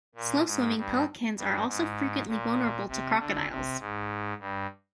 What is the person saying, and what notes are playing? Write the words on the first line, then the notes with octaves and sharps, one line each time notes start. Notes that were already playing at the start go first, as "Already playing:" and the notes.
Slow-swimming pelicans are also frequently vulnerable to crocodiles.
A#2
G#2
G2
G2
G#2
A#2
C3
D3
C3
G#2
G2